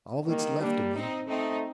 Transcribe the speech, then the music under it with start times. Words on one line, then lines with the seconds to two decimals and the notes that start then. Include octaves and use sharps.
'All that's left of me.
0.27 D#3 G3 A#3
0.60 G3 A#3 D4
0.94 C4 D#4
1.28 A3 C4 D#4